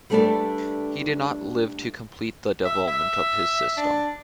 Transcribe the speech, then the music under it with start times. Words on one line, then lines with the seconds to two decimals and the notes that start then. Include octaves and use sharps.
He did not live to complete the development of his system.
0.10 G3 A3 D4 A4 B4 D5
2.65 E5
2.88 E5
3.77 D4